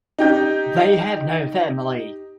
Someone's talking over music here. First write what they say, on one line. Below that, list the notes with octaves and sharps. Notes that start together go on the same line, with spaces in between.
They had no family.
D#4 G4 G6